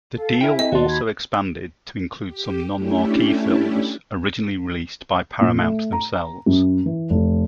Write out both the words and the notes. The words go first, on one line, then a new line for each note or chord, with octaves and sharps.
The deal also expanded to include some non-marquee films originally released by Paramount themselves.
A4 F5
E4 A#4 E5 G5 G#5
C4 A4 D#5
D#2 F#4 D5 A5 C6
B5 G#6
G4
A3 C#4 D4 E4 G4
A#2
A3
A#5
F#2
E3
F1